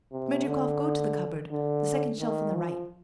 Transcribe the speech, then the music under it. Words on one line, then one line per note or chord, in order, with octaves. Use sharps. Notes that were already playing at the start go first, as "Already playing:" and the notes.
Smerdyakov, go to the cupboard, the second shelf on the right.
C3
D3
D3
D#3
F3